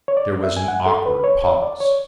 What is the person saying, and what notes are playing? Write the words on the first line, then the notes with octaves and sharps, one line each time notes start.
There was an awkward pause.
C#5
D5
E5
G#5
F#5
A4
B4
B4
C#5
C#5
D5
C#5